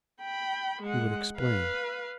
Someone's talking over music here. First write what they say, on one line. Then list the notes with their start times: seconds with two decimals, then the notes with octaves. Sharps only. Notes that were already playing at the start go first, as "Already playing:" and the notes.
He would explain.
0.21 G5 B5
0.82 G#3 F#5
1.37 B4 F5